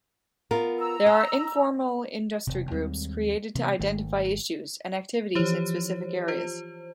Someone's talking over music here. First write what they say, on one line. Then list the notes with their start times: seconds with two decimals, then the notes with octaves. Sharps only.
There are informal industry groups created to identify issues and activities in specific areas.
0.51 B3 F4 A#4
0.78 A#5 E6
1.06 D#5
2.47 E1 C3
2.71 D#2 G3 G#3 C4
3.55 C3 E3 G#3 B3
3.79 G#1 D#3 A3
5.35 E3 F3 G4 C5 C#5
6.28 F4 C5